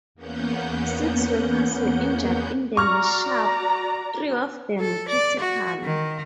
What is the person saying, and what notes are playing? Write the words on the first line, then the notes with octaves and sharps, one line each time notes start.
Six workers were injured in the mishap, three of them critically.
E2 A#3 B3 C#4 F#5 G6
F#4 D5 A#5 C#6 F6
A4
D5
F#4
D#3